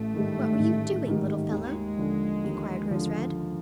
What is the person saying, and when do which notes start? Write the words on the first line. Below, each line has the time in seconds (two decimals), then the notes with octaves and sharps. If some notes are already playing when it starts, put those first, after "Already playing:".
"What were you doing, little fellow?" enquired Rose-Red.
Already playing: A1 A3
0.14 G#2 D#3 G3
0.59 A1
1.06 G#2 D#3 G3
1.52 D#2 G#3
1.98 D3 F3
2.44 D#2
2.91 D3 F3